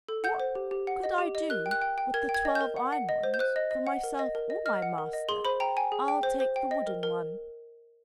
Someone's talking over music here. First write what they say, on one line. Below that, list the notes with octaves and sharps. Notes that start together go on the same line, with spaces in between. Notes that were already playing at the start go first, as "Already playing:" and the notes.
"What could I do with the twelve iron ones for myself or my master? I'll take the wooden one."
A4
F#5 G6
C5
G4
G4
F#5
D#5
G4
D#5
A#4 F#6
G5
F#6
G5
G5
A#4 G#6
G5
G#6
D#5
G6
A#4
F#5
F#5
D#5
C5
G6
C5 F#6
D#5
D#5
F#5
A#4
D#5
A#4
D#5
D#5 F6
F#5
A#4
D#5
G#4 C6
C5 B5
G5 A#5
G5 G#5
G#4
G5
C5
C5
G5
D#5
A#4
A#4